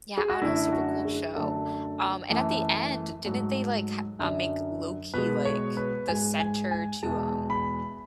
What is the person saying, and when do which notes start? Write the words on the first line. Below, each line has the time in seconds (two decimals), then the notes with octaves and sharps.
yeah, I don't know, super cool show, um, and at the end, didn't they like ha uh, make Loki, like, the center to, um
0.18 G#4
0.30 F#4
0.42 F#2 D3 A3 E4
0.72 F#4
1.05 G#4
1.36 F#2 D3 F#3 A3 A4
2.30 F#2 E3 A3
3.25 G#2 F#3 A3
4.19 F#2 D3 F#3
5.14 B2 G#3 B4
5.45 C#5
5.77 B4
6.08 G#2 G#3 G#5
6.39 G#5
6.71 G#5
7.03 E2 B2 G#3 A5
7.50 B5